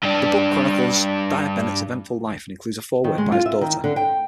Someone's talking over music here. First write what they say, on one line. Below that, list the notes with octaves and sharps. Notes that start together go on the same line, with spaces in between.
The book chronicles Dyer-Bennet's eventful life and includes a foreword by his daughter.
G2 D4
D#3
G#3
F4
E5
D#3
D3
G5